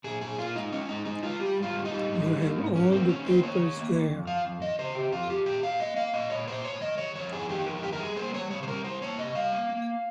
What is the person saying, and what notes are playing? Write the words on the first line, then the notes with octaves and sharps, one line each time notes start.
You have all the papers there.
A#2 G#4
A#2 G#4
A#2 F4
G#3 D#4
G#3 C#4
G#3 D#4
G#3 D#4
G#3 F4
G3 G4
G#2
F4
G3
D#4
G3
G#2
G3
A#3
G#2
G#2 C#4
A#3 C4
D#3 C#4
A#3 C5
D#3 C#5
D#3
A#3
D#3
F2
F3 F5
F2
F3 D#5
C#3 C5
C#3 G4
F2 F4
F2 G4
A#2 G4
A#2 F5
A#3 D#5
A#3 F5
A#2 D#5
A#2 C#5
A#2 C5
A#2 C#5
D#3 D#5
D#3 C#5
F2 C#5
D#3 G#4
D#3 G4
F2 A#4
D#3 G4
A#4
G3 G#4
A#3 C5
G3 C#5
C3 C#5
C5
G3 A#4
G3 C5
A#3 C#5
C3 D#5
G3 F5
A#3
A#3